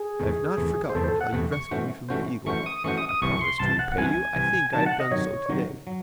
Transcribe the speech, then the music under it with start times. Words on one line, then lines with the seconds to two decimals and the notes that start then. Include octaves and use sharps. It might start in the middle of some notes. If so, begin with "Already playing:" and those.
"I have not forgotten how you rescued me from the eagle; I promised to repay you, I think I have done so to-day."
Already playing: G#4
0.20 E2 C3 E3 A3
0.57 E2 C3 E3 A3
0.89 C5
0.95 E2 C3 E3 A3 A4
1.04 C5
1.08 A4
1.21 F#5
1.33 E2 C3 E3 A3
1.52 C#6
1.71 E3 A3 C#4 F#4 C5
2.09 E3 A3 C#4 F#4 C5
2.46 E3 A3 C#4 F#4 C5 C#6
2.66 D#6
2.84 E3 A3 C#4 F#4 C5 C#6
2.97 D#6
3.09 D#6
3.22 C2 C3 E3 C#6
3.41 C6
3.60 C2 C3 E3 A5
3.79 F#5
3.92 F#5
3.98 C2 C3 E3 G#5
4.36 C2 C3 E3
4.73 C3 D#3 F#3 A5
4.86 F#5
5.00 D#5
5.11 C3 D#3 F#3 C#5
5.49 C3 D#3 F#3
5.87 F#3